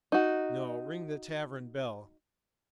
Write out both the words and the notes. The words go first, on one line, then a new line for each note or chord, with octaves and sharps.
"No. Ring the tavern bell!"
D#4 F#4